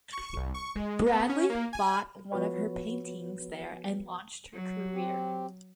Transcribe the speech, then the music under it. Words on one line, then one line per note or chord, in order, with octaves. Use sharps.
Bradley bought one of her paintings there and launched her career.
C#6
C2
C#6
G#3
B3
C#4
A#3
G#5
F3 B3 F#4 B4 C#5
F#3
C4 G4